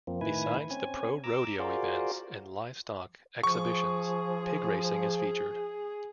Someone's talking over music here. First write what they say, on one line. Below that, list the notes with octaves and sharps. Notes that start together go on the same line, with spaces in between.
Besides the pro rodeo events and livestock exhibitions, pig racing is featured.
F2 F3 A#3 C4
A2 D#3 E4 B4 G#5
C4 C#4 G#5
A#5 D6 E6
F4 F#4 G#4 A#4 C5 D5
F3 G#4 C#6